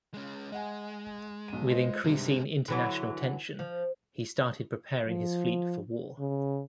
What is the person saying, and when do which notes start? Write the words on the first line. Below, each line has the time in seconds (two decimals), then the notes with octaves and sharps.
With increasing international tension he started preparing his fleet for war.
0.14 G#3 C#4
0.52 G#3 D#5 F#5 G#5
1.48 B1 D#7
1.69 F4 C5 D#5
2.04 G2 C3 G#3 C4
2.68 D3 E3 F#3
3.59 F3
5.08 F3
6.19 C#3